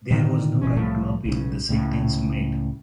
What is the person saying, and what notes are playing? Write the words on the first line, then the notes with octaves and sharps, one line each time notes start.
There was no right to appeal the sentence made.
A2 D3 D#3
G1 B2 E3 C#4
C2 A2 F3 A3
B1 C#3
C#2 A2 C#3